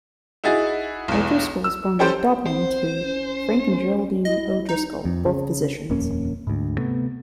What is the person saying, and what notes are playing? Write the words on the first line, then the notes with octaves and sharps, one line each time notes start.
O'Driscoll was born in Dublin to Frank and Geraldine O'Driscoll, both physicians.
D#4 E4 F#4 G#4 A6
B1 E2
E6
C#4 G4 A4 C5 G5
C4 C5
C#4
E4 D#5
D#4
F2
C#3
D#1 F2 A#3 C#4
D2 G#2
C3 A3 B3